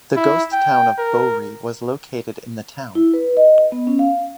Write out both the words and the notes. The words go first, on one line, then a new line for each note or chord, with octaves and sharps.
The ghost town of Bohri was located in the town.
E4
G5
A#4
E4
B4
D#5
B3
C#4
F5